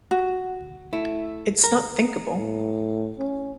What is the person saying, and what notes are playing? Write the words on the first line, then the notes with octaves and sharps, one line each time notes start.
It's not thinkable.
F#4
A3 E4
A#4
A2
C#4